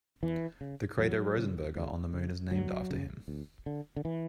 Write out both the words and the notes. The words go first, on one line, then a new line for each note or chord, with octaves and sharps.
The crater Rosenberger on the Moon is named after him.
E2 E3
C#3
E2 F#3
C#3
D2
C#3
D2 F#3
C#3
D2
D3
D3
E3